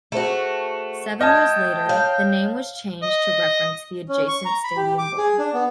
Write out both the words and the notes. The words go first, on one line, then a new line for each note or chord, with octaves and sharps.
Seven years later, the name was changed to reference the adjacent Stadium Bowl.
A3 F#4 G#4 C5
D#5 G5 A5 F6 G#6
C#5 F5
D#5
C#4
C#6
A#5
B5
G4
D6
G#4
D4
B3